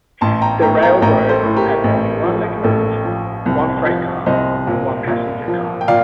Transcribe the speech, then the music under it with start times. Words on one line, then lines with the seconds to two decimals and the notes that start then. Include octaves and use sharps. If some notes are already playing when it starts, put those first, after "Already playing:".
The railroad had only one locomotive, one freight car, and one passenger car.
0.21 A1 A5 C6
0.41 G5 A#5
0.62 A2 G5 A#5
0.82 G5 A#5
1.02 A1 G5 A#5
1.29 A4 C5
1.43 A2
1.56 G4 A#4
1.84 A1
2.24 F3
2.64 A1 A4
3.05 F3
3.46 C2
3.86 F3
4.26 C2 C5 D#5
4.67 A#2
5.07 A#2
5.48 F3
5.81 G5
5.88 A#2 D5 F5